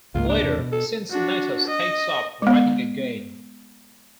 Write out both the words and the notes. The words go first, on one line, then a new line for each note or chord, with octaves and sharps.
Later, Cincinnatus takes up writing again.
C#2 G#2 A#3 F4
D4
E2 C3
B2
A4
D4 F#4
D#5
G#3 B3